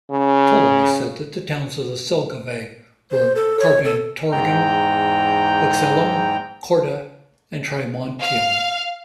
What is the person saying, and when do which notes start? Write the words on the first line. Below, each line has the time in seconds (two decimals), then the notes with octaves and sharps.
Ptolemy said that the towns of the Selgovae were "Carbantorigum", "Uxellum", "Corda", and "Trimontium".
0.10 C#3
3.11 C5
3.36 A4
3.60 C#5
3.84 A4
4.32 E2 G#2 G5 A#5 G6
8.21 F5